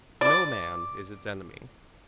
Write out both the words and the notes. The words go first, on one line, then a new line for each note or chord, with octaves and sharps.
No man is its enemy.
D5 D6